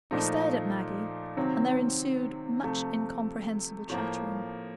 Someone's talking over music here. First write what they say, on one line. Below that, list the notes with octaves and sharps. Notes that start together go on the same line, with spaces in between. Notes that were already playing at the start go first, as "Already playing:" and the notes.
He stared at Maggie, and there ensued much incomprehensible chattering.
A#2 F3 A3 D#4
C3 D#3 F#3 C4
C3 F3 A3
A2 F3 A#3